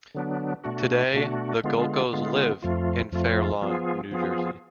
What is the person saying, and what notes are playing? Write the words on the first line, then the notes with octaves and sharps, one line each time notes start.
Today the Gulkos live in Fair Lawn, New Jersey.
D3 F#3 B3 D4
B2 A3 D4 F#4
B2 A3 D4 F#4
D3 G#3 B3 F4
D3 G#3 B3 F4
F2 F3 A3 F4
F2 F3 A3 F4
F3 B3 F4 G#4
F3 B3 F4 G#4